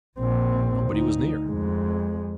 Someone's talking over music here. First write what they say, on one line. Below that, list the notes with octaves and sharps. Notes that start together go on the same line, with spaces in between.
Nobody was near.
A#1 C4
D2 D#4
F2 G#3